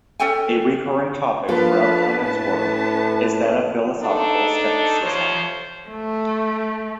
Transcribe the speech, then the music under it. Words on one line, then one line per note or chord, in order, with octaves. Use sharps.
A recurring topic throughout Conant's work is that of philosophical skepticism.
C#4 A4 G5 G#5
F3 A#3 D4 A4 B4 F5 A5
A2 C#4 A5
D4 D#4 A4
F2 C3 F3 C5 C#5
A3